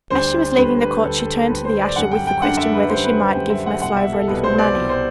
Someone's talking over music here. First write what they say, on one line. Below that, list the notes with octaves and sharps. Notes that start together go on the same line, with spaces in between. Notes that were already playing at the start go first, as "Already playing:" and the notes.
As she was leaving the court she turned to the usher with the question whether she might give Maslova a little money.
D2 D3 G3 D4 C5
D2 D3 G3 D4 B4
B4
D2 D3 G3 D4 A4
A4
A4
D2 D3 G3 D4 B4
C5
D5
F#2 D3 G3 D4 F#5
G5
G5
F#2 D3 G3 D4 F#5
E5
B4
F#2 D3 G3 D4 C5
B4
C5
F#2 D3 G3 D4 G5
E5
F#5
C2 B2 G3 F#5
E5
A4
C2 B2 G3 B4
C5
D5
C2 B2 G3
C5